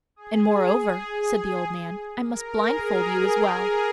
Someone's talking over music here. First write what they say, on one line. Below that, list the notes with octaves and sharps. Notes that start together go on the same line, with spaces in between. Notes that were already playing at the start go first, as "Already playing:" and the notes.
"And moreover," said the old man, "I must blindfold you as well."
G#4
A#4
G#4